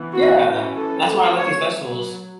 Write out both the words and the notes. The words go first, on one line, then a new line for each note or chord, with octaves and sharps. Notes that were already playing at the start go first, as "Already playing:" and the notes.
yeah, that's why I like these festivals.
Already playing: E3 B3
F#4
E3 C#4
A4
F#3 A3 C#4
C#5
F#3